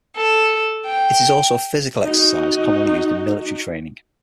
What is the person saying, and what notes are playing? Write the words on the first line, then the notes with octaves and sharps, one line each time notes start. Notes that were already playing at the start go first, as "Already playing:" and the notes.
It is also a physical exercise commonly used in military training.
A4
G5
D#4 F#4